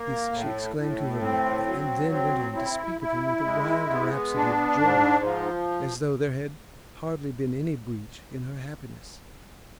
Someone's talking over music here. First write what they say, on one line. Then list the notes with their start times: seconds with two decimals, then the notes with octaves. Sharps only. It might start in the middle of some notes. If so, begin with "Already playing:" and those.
This she exclaimed to her mother, and then went on to speak of him with a wild rhapsody of joy, as though there had hardly been any breach in her happiness.
Already playing: A#3
0.32 A2
0.77 A2
1.21 C4
1.66 F#3
2.11 C4
2.56 E4
3.01 E4
3.45 G#3
3.90 B3
4.35 D4
4.79 G#2
5.24 F3